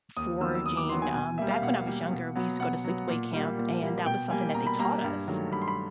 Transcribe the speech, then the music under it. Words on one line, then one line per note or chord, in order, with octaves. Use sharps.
foraging. Um, back when I was younger, we used to go to sleepaway camp, and that was something that they taught us.
D#2 D#6
D#3 F#3 B3 E6
E6
D#2 D#6
D6
D#3 F#3 B3 C6
G#5
B2 G#5
G3 A#3 E5
F5
B2 F#5
G3 A#3
B2
F#3 B3
B2 F#5
F#3 B3
A#2
G3 A#3
A#2
G3 A#3
B2 G5
G3 A#3 G#5
B2 A#5
B5
G3 A#3 A#5
G2
D#3 F#3 A3
G2 B5
C6
B5